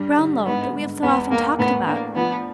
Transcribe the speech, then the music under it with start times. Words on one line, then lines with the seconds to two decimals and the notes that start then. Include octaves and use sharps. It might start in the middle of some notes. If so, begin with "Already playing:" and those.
Brownlow, that we have so often talked about.'
Already playing: G2 G3
0.18 D3
0.46 G#2 B3
0.74 G#2
1.03 E2 B3
1.30 E2 A#3
1.59 A2 B3
1.87 A#3 D4
2.15 F3 B3